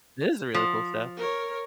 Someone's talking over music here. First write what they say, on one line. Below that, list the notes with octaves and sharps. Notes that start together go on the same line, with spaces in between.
This is really cool stuff.
F3
A#4 C#5